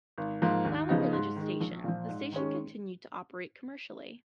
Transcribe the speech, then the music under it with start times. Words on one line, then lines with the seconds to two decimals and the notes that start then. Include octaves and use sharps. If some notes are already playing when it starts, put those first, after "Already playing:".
While a religious station, the station continued to operate commercially.
0.18 G#1
0.42 G#2 F3 A#3
0.65 D#2
0.89 C#3 F3 B3 D#4
1.13 G#2
1.36 D#3 G#3
1.61 A#1
1.84 A#2 F3
2.09 G#2
2.32 D#3 G#3 C#4